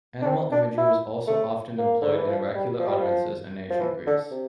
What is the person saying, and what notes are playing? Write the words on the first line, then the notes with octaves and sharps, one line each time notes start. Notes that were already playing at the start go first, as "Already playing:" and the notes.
Animal imagery was also often employed in the oracular utterances in Ancient Greece.
D4
C4
D4
E4
A3
A#3
D3
E3
F3
G3
F3
G3
F3
F3
E3
D3
C3